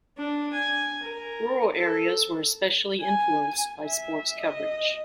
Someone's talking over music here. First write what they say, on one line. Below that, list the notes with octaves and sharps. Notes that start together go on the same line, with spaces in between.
Rural areas were especially influenced by sports coverage.
D4
G#5
A#4
A4
G#5
E5
D#5